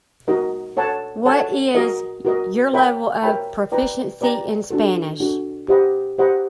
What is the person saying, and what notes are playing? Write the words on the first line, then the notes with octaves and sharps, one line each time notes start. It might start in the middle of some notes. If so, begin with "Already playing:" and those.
What is your level of proficiency in Spanish?
D#4 F#4 A#4 D#5
A4 C#5 F#5 A5
A4 C#5 F#5 A5
F#4 A#4 D#5
F#4 A#4 D#5
A#4 C#5 E5 G5 B5
A#4 C#5 E5 G5 B5
B4 D5 G5 A#5
B4 D5 G5 A#5
D4 F#4 A4
D4 F#4 A4
G4 C5 D#5 F#5 B5
G4 C5 D#5 F#5 B5